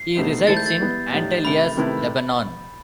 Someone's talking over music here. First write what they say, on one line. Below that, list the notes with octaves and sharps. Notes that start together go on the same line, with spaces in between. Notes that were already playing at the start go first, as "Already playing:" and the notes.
He resides in Antelias, Lebanon.
Already playing: C7
B2 A3 D#4 G4 C5
D#3 A3 E4 A4 C5 A6
G6
A6
G3 B3 E4
A2 G3 D#4
C3 D#3 A3 B5
C3 D#3 A3 E4 B4